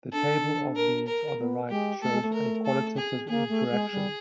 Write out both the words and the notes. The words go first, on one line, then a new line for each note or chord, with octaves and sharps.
The table of means on the right shows a qualitative interaction.
D4 A4
A#4
A#4
B3
G#3 G4
A3 A4
G#3
A3
A#4
A4
G#4
A#3 G#4
A3
G#3
G3